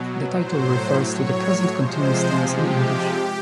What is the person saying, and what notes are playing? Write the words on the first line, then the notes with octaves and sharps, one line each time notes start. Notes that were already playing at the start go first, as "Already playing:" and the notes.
The title refers to the present continuous tense in English.
Already playing: B2 F#3
A2 F#3 C5
C#5
C3 F3 G#3 C5
G4